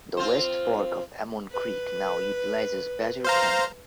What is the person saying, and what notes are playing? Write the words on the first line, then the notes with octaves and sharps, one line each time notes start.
The West Fork of Amon Creek now utilizes Badger Canyon.
C4 F4 C5
B4
C5 F5 A#5